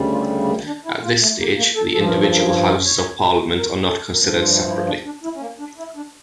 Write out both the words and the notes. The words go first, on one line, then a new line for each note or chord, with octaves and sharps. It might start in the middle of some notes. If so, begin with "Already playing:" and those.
At this stage, the individual houses of parliament are not considered separately.
Already playing: D2 C#3 G3
F4
A3
A#3
D4
E4
F4
A3
A#3
A#3
A4
G2 F3 A4
A#4
A4
A#4
C#5
A#4
C#5
A#4
A4
G2 F3 A#4
F4
D4
E4
E4
D4
D4
E4
C#4
A#3
D4
E4
D4